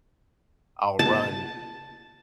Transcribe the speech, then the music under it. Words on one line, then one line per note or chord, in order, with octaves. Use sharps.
I'll run
A5